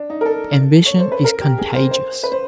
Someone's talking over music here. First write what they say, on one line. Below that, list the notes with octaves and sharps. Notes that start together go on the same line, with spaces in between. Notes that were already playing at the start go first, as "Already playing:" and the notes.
Ambition is contagious.
Already playing: D4
D#4
A#4
A4
C#5
C5
B4
A#4
G4
G#4
C5
C5
B4
C5